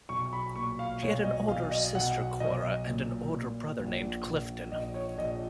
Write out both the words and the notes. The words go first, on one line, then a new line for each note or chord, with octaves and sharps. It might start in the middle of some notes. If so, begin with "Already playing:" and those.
She had an older sister, Cora, and an older brother named Clifton.
B1 C#6
B5
A#2 C#6
F5
B1 C#5
D#5
B1 F5
D#5
B1 F#5
B1 D#5
A#2
A#2
A#1
A#1
A#1 D#5
C#5
A#1 D#5